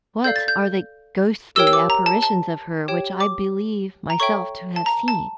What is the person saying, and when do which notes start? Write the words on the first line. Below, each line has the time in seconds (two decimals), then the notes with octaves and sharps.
What are the ghostly apparitions of her which I believe myself to have seen?
0.24 A4 D5 F5 G6
0.36 A6
0.48 G6
1.56 G4 A#4 C#5 G5 E6
1.67 E6
1.73 D6
1.90 A#5
2.06 A5
2.22 A5
2.88 G4 C#5 G5
3.20 D6
4.10 A#5
4.20 A4 C#5 E5 G5 C#6
4.76 A5
4.86 A#5
5.08 A5